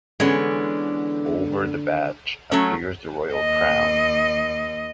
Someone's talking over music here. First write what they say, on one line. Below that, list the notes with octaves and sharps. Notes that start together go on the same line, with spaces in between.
Over the badge appears the Royal Crown.
D3 E3 G#3 B3 C#4
F#3 A3 C#4
D#2 D#5